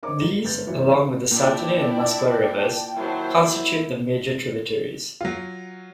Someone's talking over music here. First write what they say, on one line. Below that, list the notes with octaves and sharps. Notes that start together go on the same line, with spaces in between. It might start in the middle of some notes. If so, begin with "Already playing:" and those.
These, along with the Sahtaneh and Muskwa Rivers constitute the major tributaries.
D#4 A#4 C5 C#5 A#5 D6
G#2 F4
G1 G#2 A3 G6 A6
G1 D2 B2 E3 C#5 E5
A#2 D4 E4 D5 G5 A5
D#3 F#3 E4 C5
F#3 F4